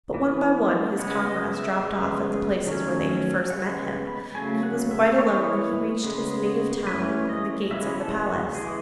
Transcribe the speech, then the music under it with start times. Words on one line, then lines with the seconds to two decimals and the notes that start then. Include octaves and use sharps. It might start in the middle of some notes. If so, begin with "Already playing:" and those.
But, one by one, his comrades dropped off at the places where they had first met him, and he was quite alone when he reached his native town and the gates of the palace.
0.14 E3 B3
0.98 C#3 G#3 B3 F#5
1.26 D#5
1.54 E5
1.83 C#3 G#3 B3
2.67 D#3 F#3 A3 C#4
3.50 C#3 G#3 B3 F#5
4.07 B5
4.35 C#3 F#3 A3 G#5
4.63 F#5
4.91 E5
5.19 E3 B3 C#5
6.03 C#3 G#3 B3
6.87 E3 A3 C#4 B4
7.29 D#5
7.71 C#3 E3 G#3 B3 E5
7.99 A4
8.27 F#4
8.55 E3 G#3 B3 G#4